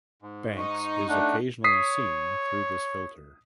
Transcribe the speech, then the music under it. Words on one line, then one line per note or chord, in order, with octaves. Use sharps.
Banks is occasionally seen through this filter.
G#2
D#4 C#6
A3 D4 F#5
C#5 D#6 B6 C7